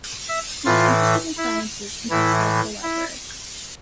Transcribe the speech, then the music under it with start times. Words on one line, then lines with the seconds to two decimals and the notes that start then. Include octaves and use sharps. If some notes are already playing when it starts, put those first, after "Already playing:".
He was interested in sciences, and had a sizable library.
0.28 E5
0.65 A2 E3 F4
1.37 E4
2.10 A2 E3 E4
2.83 E4